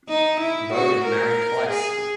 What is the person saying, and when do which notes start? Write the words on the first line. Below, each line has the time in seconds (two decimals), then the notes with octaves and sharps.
Bogan married twice.
0.08 D#4
0.41 E4
0.73 F#4
1.05 A#4
1.69 G#4